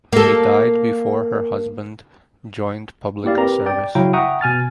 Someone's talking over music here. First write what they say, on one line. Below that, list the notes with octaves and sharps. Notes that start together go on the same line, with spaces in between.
She died before her husband joined public service.
A#3 A4
A#3 E4 G4 D5 F5
C4 G4 A#4 B4 A#5
D5 G5
C#3 F#3 E4 F5 G5 A#5
E5 F#5 G5 A#5 C#6 D#6
B2 G#5 F6 A6